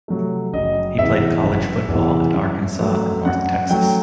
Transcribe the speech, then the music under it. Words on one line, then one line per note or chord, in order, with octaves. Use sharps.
He played college football at Arkansas and North Texas.
C3 F#3 A3
F#1 D#5
E2 C3 E3 E5
F#1
E2 C3 E3
F#2
F#3 A3
F#2 F#5
F#3 A3 G5